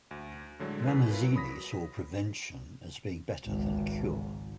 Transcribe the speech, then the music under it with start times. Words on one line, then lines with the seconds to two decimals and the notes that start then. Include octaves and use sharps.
Ramazzini saw prevention as being better than cure.
0.11 D2
0.59 A2 D3 F#3 G#3
0.86 E2 B4
1.10 E4 F4 A#4 B4 C#5
1.22 F#3
1.35 B5 D#6 A#6 B6
3.45 G#1 C#2